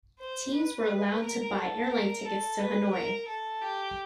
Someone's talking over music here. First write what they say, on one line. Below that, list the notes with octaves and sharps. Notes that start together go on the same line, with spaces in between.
Teams were allowed to buy airline tickets to Hanoi.
C5
B4
A#4
A4
A#4
A4
B4
A#4
A4
G4